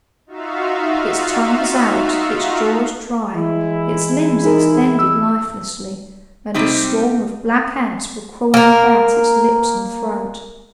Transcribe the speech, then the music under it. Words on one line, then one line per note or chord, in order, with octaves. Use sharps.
Its tongue was out, its jaws dry, its limbs extended lifelessly, and a swarm of black ants were crawling about its lips and throat.
D#4 F4 F#4 E5 F5
E3 G#3 E4
D#4 G#4 A#4
E6
C3 G3 C4 D#4 G4
A#3 A#4